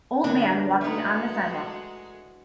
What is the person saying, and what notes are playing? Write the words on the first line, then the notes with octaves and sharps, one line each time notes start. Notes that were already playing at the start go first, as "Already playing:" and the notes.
Old man walking on the sidewalk.
E2 D3 F#3 B3 D4 A#4 B4
E3 G#3 A3 D#4 F#4